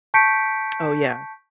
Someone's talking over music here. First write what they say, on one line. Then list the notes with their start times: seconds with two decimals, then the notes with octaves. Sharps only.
Oh, yeah.
0.14 A5 C#6 G6 B6 C#7 D7